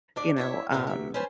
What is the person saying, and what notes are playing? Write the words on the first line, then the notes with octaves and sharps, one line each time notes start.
you know, um
D2 D4 D5
C4 E4 C#5 E5
F#2 A#2 C#3 E3 B3 C4
C3 E5
C#4 B4 C5 G#5 A5